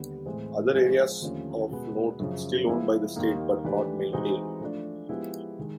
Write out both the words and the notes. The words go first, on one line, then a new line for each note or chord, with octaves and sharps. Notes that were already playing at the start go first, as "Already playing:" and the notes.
Other areas of note still owned by the state but not maintained.
Already playing: D#2 D3 G3 B3
A2 E3 G#3 C4
F3 G#3 C4
D#2 D3 F3 A3 C#4
B2 G#3 B3
F#2 C#3 F3
F3 G#3 B3 E4
D#2 D#3 G3 A#3 D#4
E3 A3 D4 G4 B4
E3 G#3 C4 D#4 F#4
F3 A3 D4
F3 G#3 B3 E4 G4
D#3 G#3